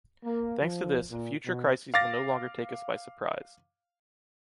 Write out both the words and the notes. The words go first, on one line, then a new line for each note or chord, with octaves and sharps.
Thanks to this, future crises will no longer take us by surprise.
A#3
F3
A#2
B2
F5 D6 A6 A#6